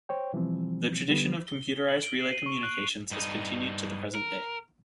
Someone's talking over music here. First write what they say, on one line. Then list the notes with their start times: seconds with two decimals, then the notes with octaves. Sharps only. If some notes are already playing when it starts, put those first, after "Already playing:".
The tradition of computerised relay communications has continued to the present day.
0.09 C5 C#5 G5
0.33 B2 E3 F3 G3 C4
1.08 D3 G3 B3
1.47 G7
1.61 G7
1.75 G7
1.88 F#7
2.03 D7
2.19 C7
2.32 D#7
2.46 C#6
2.63 F#6
2.75 F7
3.11 G2 D#4
4.15 A#4